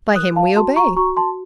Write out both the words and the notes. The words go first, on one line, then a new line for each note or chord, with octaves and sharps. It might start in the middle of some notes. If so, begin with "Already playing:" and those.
"By him we obey."
A#4 D#6 F#6
F5 A5
F#4 A5 C6
A#5 C#6
F#4 A#5 C#6
A5 C6